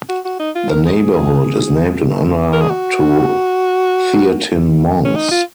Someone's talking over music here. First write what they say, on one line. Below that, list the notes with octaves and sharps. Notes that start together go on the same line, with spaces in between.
The neighborhood is named in honor to Theatin monks.
F#4
F#4
D#4
F4
A#4
G#4
A#4
G#4
F#4
C#4
D#4
F4